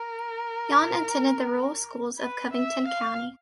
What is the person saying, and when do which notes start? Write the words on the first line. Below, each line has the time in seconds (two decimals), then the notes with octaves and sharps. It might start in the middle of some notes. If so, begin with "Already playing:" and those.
Yawn attended the rural schools of Covington County.
Already playing: A#4
2.19 B4
2.53 E5
2.87 F5